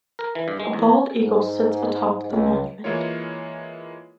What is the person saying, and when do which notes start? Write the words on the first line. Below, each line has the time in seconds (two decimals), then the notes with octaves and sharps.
A bald eagle sits atop the monument.
0.19 A#4
0.35 E3
0.48 G2
0.60 G#3
0.73 E2
1.22 G#2
2.31 C#2
2.84 E3 G#3 A#3 E4 F4 C#5